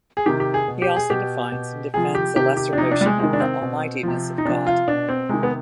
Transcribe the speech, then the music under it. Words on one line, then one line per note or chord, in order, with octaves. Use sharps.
He also defines and defends a lesser notion of the "almightiness" of God.
G#4
C3 D#3 G4
G4
G#4
B2
G4
G#4
B2 G4
B2
C3 F3 G#4
G4
C3 D#3 G4
G4
D4
C3 F3 D#4
D4
G3
G#3
C3 D#3 G#3
D4
C4
B2
C3 F3
D#4
C3 F3 D4
F4
B2 D4
C4
C3 D#3 G#3
B3